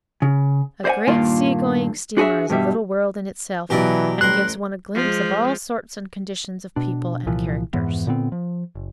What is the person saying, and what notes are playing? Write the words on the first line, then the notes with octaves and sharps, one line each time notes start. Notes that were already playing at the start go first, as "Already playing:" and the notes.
A great sea-going steamer is a little world in itself, and gives one a glimpse of all sorts and conditions of people and characters.
C#3
C5 D5 D#5 F#5 G#5
G2 A#2 D#3 A#3 F4
D4 F#4 G#4 B4 E5
G2 B2 G3 E5
B2 E3 F#3 G4 A#4 D5
A1 G3 A#4 C6 F#6
F3 G#3
B2 D4
C2 A#2 E3 F3
F2 G#2 E3 B3
A#2 D3 B3 C4
F3
F#1